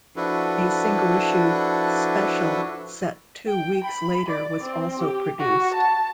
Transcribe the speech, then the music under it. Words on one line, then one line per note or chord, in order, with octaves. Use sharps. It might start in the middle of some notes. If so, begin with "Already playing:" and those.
A single issue 'Special' set 'Two weeks' later was also produced.
F3 D4 E4 F#4 A4 B4
G5
B5
D5
C4
G4
F#4
A5